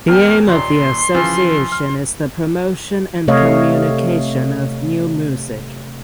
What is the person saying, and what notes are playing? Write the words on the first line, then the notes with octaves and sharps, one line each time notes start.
The aim of the association is the promotion and communication of Neue Musik.
E2 A#3 G5 F6
D#2 A#2 C6
C#3 E3 F3
F6
C3 A3 C#5 D#5 F5